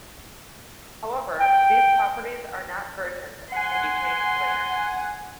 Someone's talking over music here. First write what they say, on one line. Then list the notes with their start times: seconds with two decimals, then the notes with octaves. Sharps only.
However, these properties are not versioned and can be changed later.
1.41 G5
3.52 F#5 G#5 C6